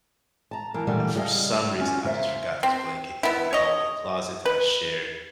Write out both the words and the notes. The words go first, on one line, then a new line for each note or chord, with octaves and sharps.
for some reason, I just forgot this blanket in the hallway closet that I shared
A5 A#5
E3 A#3
A#2 D3 E3 G3 A3 A#3
C#3 G3 G#4 C5 D#5 F5
C#4 F4 F#4
C#3 A#3 C5 E5
C4
B3 E4
C#5 D#5
B4